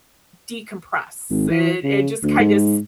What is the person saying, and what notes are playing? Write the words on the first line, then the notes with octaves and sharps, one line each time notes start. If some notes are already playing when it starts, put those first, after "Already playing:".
decompress. It it just kind of, s
G#1
E3
C#3
D2
G#2